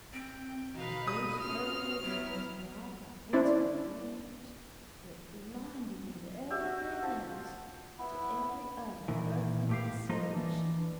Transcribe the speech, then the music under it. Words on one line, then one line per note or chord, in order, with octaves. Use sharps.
And in those earlier years, when I got into a rage, it blinded me to everything else, to every other earthly consideration.
C4 G5
B2 D#4 F#4 A4 B4 F5
D#6 D#7
C#4 D4 F4 F6
F#3 G3 E4 F#4
C#4 D4 E4 C5 D5
F#4 G4 E5
F3
B3 E4
A#2 D#3 E3
A2 G4 F5
F3 A#3 D#4 F4 D#5
E3 D4